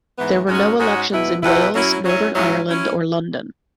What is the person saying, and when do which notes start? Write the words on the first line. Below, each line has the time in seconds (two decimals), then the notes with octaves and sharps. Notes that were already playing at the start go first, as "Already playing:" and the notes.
There were no elections in Wales, Northern Ireland or London.
0.18 G#2 E3 B3
0.48 G#2 G#3 C#4 F#4
0.80 G#2 G#3 C#4 F#4
1.11 E2 B2 B3 E4
1.43 E2 B2 B3 E4
1.73 F#2 F#3 C#4 E4
2.05 F#2 F#3 C#4 E4
2.35 G#2 F#3 C#4 E4
2.68 F#3 C#4 E4